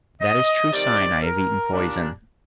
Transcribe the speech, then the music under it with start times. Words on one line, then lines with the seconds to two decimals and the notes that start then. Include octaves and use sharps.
That is true sign I have eaten poison....
0.21 D#5
0.72 C3 D#3 G3 D5
1.22 A#4
1.72 A#2 G3 D4